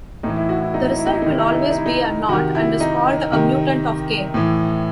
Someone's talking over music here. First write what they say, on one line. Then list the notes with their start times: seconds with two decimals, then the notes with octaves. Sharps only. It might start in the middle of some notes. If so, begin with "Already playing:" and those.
The result will always be a knot and is called a mutant of "K".
0.23 A2 E3 D#4
0.36 E4
0.49 F#4
0.62 E4
0.74 D#4
0.83 E4
0.91 D#4
0.99 E4
1.07 D#4
1.14 E4
1.22 D#4
1.26 C3 D#3 E4
1.39 D#4
1.47 E4
1.54 D#4
1.63 E4
1.70 D#4
1.78 E4
1.86 D#4
2.29 C3 D#3 F#4
2.55 E4
2.80 D#4
3.32 C3 D#3
4.34 A2 E3